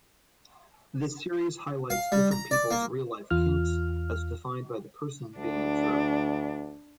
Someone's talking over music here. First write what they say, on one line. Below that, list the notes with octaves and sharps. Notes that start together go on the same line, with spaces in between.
This series highlights different people's real-life kinks, as defined by the person being observed.
F5
G3
A#5
D5
A#3
E2 F4 F6
D2 D4